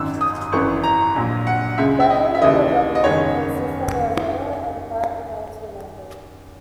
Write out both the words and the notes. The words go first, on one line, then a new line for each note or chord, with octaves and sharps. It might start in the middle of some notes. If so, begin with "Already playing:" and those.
The Hanover government consists of a mayor and five council members.
Already playing: G#1 F#2 D#3 E6
D#6
G#1 F#2 E3 C#6
A#5
A#1 A#2 F#3
F#5
C#2 C#3 G#3 E5
E5
D#5
E5
D#2 C#3 E3 D#5
D#5
F#1 E2 D#3 G#3 C#5